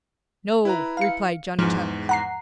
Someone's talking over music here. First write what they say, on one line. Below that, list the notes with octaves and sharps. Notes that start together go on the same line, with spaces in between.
"No," replied Johnny Chuck.
E4 B4 A#5
F5 C#7
E2 G#2 F3
F#5 A#5 C7